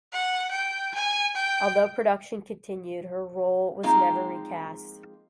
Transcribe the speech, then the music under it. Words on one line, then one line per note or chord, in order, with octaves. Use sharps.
Although production continued, her role was never recast.
F#5
G5
G#5
G5
F3 G#3 A#3 C4 D#4 F4